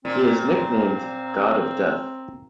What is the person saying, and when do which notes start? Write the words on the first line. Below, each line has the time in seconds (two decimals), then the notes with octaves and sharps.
He is nicknamed "God of Death".
0.05 A#2 C4